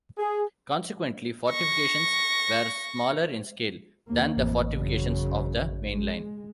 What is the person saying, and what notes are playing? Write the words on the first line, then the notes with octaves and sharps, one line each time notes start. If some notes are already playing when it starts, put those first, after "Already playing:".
Consequently, fortifications were smaller in scale than the fortifications of the main Line.
G#4
C#6 A#6
D#2 A#3
A1 F2
F#2 C#3
G#3